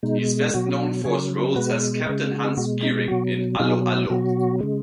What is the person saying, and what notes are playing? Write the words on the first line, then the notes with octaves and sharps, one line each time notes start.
He is best known for his roles as Captain Hans Geering in 'Allo 'Allo!
B2 G#3 D#4
B2 F#3 F#4
C#3 F#3 G#4 C#5
B2 G#3 F#4 B4
C#3 G#3 B4 D#5
D#4
F#4
D#4 G#4
B2 G#3 F#4
D#4
B2 F#3 F#4
B2 F#3 D#4 G#4
B2 F#3 F#4
C#3 G#3